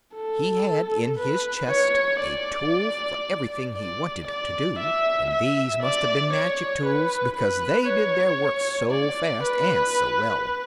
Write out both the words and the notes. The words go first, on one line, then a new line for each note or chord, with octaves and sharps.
He had in his chest a tool for everything he wanted to do, and these must have been magic tools because they did their work so fast and so well.
A4
B4
C#5
D5
D5
D5
E5
E5
D5
C#5
B4
B4
C#5
D5
B4